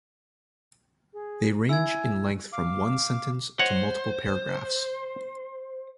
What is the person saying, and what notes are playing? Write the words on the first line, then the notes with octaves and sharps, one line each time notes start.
They range in length from one sentence to multiple paragraphs.
G#4
E4 G#5 E6 G#6
F5 D6
C5 C#5 D#5 F#5